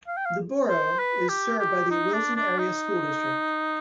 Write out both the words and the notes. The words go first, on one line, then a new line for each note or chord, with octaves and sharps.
The Borough is served by the Wilson Area School District.
F5
G5
F5
C5
B4
G4
G4
D#4
D4
D4
D#4